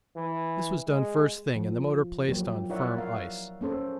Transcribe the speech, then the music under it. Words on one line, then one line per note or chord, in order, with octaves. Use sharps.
This was done first thing and the motor placed on firm ice.
E3
G#3
F3
F3 F#3 A#3 G4
E4 A#4 C#5 D5 E5 F#5
A#4 F5
A#3 C#4 A4 C5